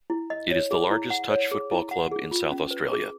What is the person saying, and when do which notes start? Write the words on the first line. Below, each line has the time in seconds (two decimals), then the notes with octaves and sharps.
It is the largest touch football club in South Australia.
0.10 E4
0.30 D#5
0.51 C#5
0.71 G#4
0.91 E4
1.10 F#5
1.30 C#5
1.51 G#4
1.71 E4
1.91 F#5
2.11 G#4
2.31 F4
2.52 C#4
2.71 B4
2.91 G#4